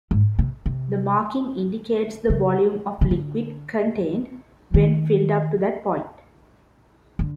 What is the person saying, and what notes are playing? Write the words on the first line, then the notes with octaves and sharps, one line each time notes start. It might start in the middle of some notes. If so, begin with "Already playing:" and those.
The marking indicates the volume of liquid contained when filled up to that point.
G#2
C3
C3
C#3
C#3
D3
D#3
D3